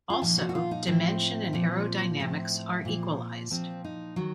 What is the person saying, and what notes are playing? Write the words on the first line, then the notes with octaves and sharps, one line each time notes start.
Also, dimension and aerodynamics are equalised.
F4
A#2 F3 D#4
F#4
F#4
F4
D#4
A2 F3 C4
A#2 F3
A2 F3 C4
A#2 F3
A#2 F3 C4
D#4
D#3 F#3